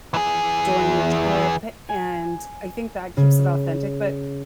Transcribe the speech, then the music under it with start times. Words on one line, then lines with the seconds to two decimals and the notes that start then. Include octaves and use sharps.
during your trip. And I think that keeps it authentic, but,
0.14 E3 G#4
1.89 G#5
3.17 C#3